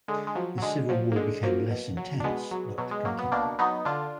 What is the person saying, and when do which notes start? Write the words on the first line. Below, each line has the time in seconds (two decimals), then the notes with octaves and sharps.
The civil war became less intense but continued.
0.08 D3 G#3
0.27 G#3
0.35 F3 F#3
0.58 F#3
0.62 D3 G#3
0.89 F3 F#3
1.12 A#3
1.16 D3 G#3
1.43 F3 F#3 A#3
1.70 B2
1.97 F#3
2.20 D4
2.24 B2 G#3 B3
2.51 F#3
2.78 B2 F#3
2.91 G#3
3.05 F#3 A#3
3.19 B3
3.32 B2 A#3 D4
3.59 F#3 B3 D#4
3.85 D3 D4 F4